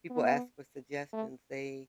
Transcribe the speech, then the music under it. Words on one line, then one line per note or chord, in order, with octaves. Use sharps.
people ask for suggestions, they
B3
A3